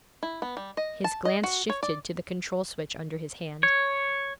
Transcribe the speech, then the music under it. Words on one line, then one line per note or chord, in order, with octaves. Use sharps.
His glance shifted to the control-switch under his hand.
E4
B3
G3
D#5
A5
D#5
F#4
C#5
D5
C#5